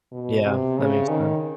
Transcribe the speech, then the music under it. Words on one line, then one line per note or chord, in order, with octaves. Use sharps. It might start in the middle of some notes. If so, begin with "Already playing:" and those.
Yeah, that makes sense.
B2
C3
C#3
D#3